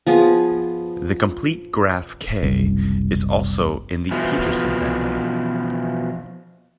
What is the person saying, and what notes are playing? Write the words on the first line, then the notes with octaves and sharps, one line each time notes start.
The complete graph "K" is also in the Petersen family.
F3 B3 G#4
F#1 C2
B2 E3 F3